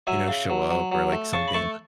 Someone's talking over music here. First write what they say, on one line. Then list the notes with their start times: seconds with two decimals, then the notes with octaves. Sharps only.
you know, show up or, like, something?
0.07 F#3 E5 G#5
0.28 C#3
0.50 F#3
0.70 F#3
0.92 F#3
1.12 A3
1.33 C#3 A5 C#6
1.48 B5
1.54 A3 A5 C#6